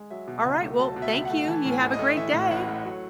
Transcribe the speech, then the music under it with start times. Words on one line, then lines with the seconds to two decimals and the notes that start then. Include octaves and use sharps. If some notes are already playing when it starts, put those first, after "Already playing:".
Alright, well, thank you. You have a great day.
Already playing: G#3
0.10 F#3 E5
0.28 B2
0.45 C#2
0.62 A3
0.79 F#3 A5
0.96 B2
1.02 E5
1.13 C#2
1.25 F#5
1.30 A3
1.47 E3 A5
1.65 A2
1.70 G#5
1.82 A1
1.94 D#5
1.99 A3
2.16 E3 E5
2.33 A2
2.51 A1 F#5
2.68 A3
2.85 F#3